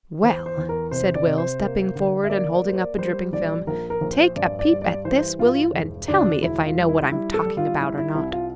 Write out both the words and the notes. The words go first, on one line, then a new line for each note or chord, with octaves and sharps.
"Well," said Will, stepping forward and holding up a dripping film, "take a peep at this, will you, and tell me if I know what I'm talking about or not!"
E2 C5
C5
E2
A#4
C3 C5
D5
C3
C5
A#3
D3
E5
A#3 D5
D5
A#3
C5
D5
G3 C5
A#1 D5
A#1 A#4
A#4
A#1
C5
G2 D5
D5
G3
D5
E3 C5
G2 F4
E1
D2 D4
E1 E4
F4
G3
E4
G3 E4
A4
G3
F4
G3 E4
E4
C2 E4
F4